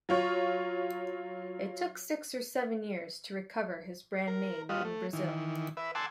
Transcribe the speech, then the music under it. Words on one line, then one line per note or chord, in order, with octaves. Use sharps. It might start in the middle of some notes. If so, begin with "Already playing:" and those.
It took six or seven years to recover his brand name in Brazil.
F#3 F4 C#5
A#4
G3 F4 F#4 D#5
A3
D#3 E3
B4 E5
F#5 G#5 A5 C6 D6 E6